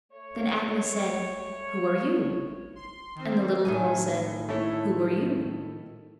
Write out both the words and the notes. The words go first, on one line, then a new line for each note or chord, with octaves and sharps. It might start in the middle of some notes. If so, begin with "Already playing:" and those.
Then Agnes said, "Who are you?" And the little girl said, "Who are you?"
A3 C#5
C6
D#3 C4
A2 D#3 G#5
A3 E4 C#5